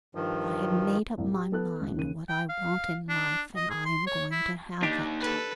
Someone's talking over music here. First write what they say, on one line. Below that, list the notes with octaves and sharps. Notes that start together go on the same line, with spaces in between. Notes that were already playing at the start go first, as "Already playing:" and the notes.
I have made up my mind what I want in life and I am going to have it.
G2 D#3 F3
C2 A2
G4
B3 A4 F#6
C#2
D#2 C#3 D#7
G5
F5
D4
D#5
G#4
C6
C#5
E4
D#2 D4 D#4 G4
A4 B4